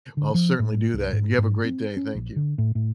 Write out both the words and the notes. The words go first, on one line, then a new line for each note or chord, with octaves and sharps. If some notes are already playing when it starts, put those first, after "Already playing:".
I'll certainly do that, and you have a great day, thank you.
D3
F3
A2
C2
G#2
G#2
C4
C#4
A#1
D3
A2
A2